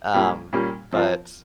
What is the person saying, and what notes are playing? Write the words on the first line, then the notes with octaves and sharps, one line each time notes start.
um, but,
A#2 G3 A#3 C#4 G4
A#2 G3 A#3 C#4 G4
F3 C4 F4 A#4